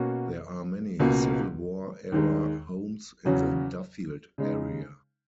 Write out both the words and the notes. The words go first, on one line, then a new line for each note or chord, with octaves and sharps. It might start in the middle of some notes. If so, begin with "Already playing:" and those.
There are many Civil War-era homes in the Duffield area.
Already playing: B2 A#3 C#4 F#4
C#2 B2 A#3
D#2 D#3 G#3
E2 C#3 F#3 C#4 F#4
C#3 G#3 D#4